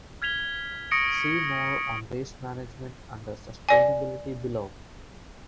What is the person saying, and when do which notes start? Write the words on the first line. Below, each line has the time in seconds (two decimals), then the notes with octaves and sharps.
See more on Waste Management under "Sustainability" below.
0.22 F6 G#6 B6 F7 G7
0.91 C#6 D#6 A#6 C#7 D7
3.69 D5 G#5